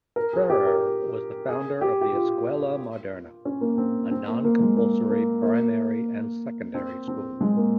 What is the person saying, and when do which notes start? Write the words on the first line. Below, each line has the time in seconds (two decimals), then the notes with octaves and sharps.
Ferrer was the founder of the Escuela Moderna, a non-compulsory primary and secondary school.
0.16 A#4
0.33 G#4
0.50 G4
0.66 A#4
1.49 G#4
1.81 G4
2.01 G4
2.13 F4
3.45 C#4
3.61 A#3
3.78 C4
4.11 C4
4.27 A#3
4.44 A#3
4.61 G#3
4.77 A#3
5.10 A#3
5.43 A#3
6.74 C4
7.08 C4
7.41 G#3
7.57 A#3